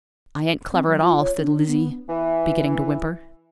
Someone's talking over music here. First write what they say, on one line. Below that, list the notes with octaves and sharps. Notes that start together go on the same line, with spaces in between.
"I ain't clever at all," said Lizzie, beginning to whimper.
C4
F#3
F4
C#5
D4
B3
E3